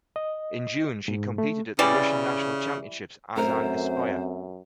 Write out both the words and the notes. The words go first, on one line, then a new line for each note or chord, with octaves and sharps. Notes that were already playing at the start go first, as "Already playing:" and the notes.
In June she competed at the Russian National Championships as an Espoir.
D#5
G#2
A3
C#3 E3 G3 D5
F#2 A3 B3 C4 A#4 C5